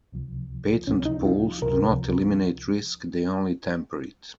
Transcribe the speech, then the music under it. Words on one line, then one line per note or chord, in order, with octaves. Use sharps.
Patent pools do not eliminate risk, they only temper it.
C#2 C3 F3
C#2 C3 F3 C#4
D#4
F4
C#2 C3 F3 A#4